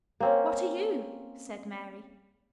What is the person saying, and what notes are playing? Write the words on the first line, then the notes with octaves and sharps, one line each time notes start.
"What are you?" said Mary.
A#3 C4 C#4